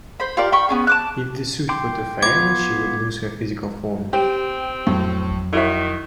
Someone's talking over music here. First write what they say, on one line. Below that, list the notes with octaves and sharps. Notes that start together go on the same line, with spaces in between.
If the suit were to fail, she would lose her physical form.
C5 B5
F4 G4 A#4 D5
G5 B5 C#6
B3 C#4 G#4
A5 D6 F#6
G5 C6 D6
B3 F4 D6 G#6
C4 G4
F2 A2 F#3
D#3 E4 F#4 E5